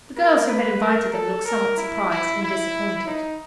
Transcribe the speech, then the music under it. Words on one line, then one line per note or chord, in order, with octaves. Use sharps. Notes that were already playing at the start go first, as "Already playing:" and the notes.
The girls who had invited them looked somewhat surprised and disappointed.
A#4
B4
A#4
A4
A#4
E4
E4
E4
D#4